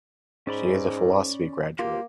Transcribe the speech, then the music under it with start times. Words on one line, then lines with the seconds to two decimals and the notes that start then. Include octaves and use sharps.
She is a philosophy graduate.
0.47 G#2 C#4 D5 B5
1.79 A#3 F4 G4